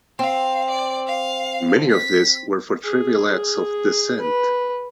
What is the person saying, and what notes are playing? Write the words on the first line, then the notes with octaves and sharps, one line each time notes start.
Many of these were for trivial acts of dissent.
C4 F5
D5
F5
B6
G#4
B4